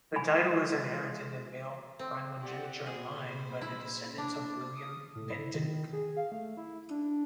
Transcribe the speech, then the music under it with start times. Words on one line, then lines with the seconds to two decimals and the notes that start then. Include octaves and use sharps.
The title is inherited in male primogeniture line by the descendants of William Bentinck.
0.16 E3 G#3 G#5 B5
1.99 C4
2.40 G4 D5 F#5
2.86 A#2 G#4 C5 B5
3.61 E4
4.18 D4
4.75 D#6
5.15 A2
5.30 E4
5.55 D#3
5.93 G#4
6.17 F5
6.32 A3
6.57 E4
6.90 D4